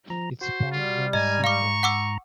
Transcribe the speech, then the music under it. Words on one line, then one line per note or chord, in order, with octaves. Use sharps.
It spawned many sequels.
F3 A#5
F#4 C5
G3 F4
G#2 D#5 G#5 A#5
F5 C#6 D6
F#5 D6 E6